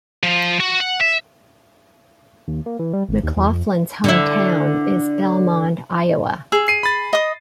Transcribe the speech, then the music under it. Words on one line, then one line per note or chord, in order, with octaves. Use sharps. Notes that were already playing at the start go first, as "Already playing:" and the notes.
McLaughlin's hometown is Belmond, Iowa.
F3
F#4
F#5
E5
D#2
A#3
E3
G3
G#1
D#2
E2
F2
D3 E4
G#4 E6
C7 D#7
B5 A6
D#5 D#6